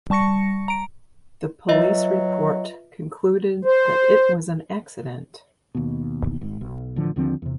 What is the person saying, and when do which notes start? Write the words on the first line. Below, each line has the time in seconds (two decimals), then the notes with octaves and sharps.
The police report concluded that it was an accident.
0.10 G3 A5 C#6 A#6 C#7
0.68 A#5 D7
1.69 F#3 F4 B4 D#5 E5
3.65 C5
5.75 D#2 B2
6.41 G#1 G#2
6.61 B1
6.96 A1 D3 F3
7.16 D#2 D3 F3 C4
7.42 E2 C3